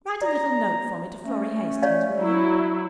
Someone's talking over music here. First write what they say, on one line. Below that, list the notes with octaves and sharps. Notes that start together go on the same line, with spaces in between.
Write a little note for me to Florrie Hastings, will you?
D5 A#5
A3 C#4
C#5 D5 F5
F#3 E4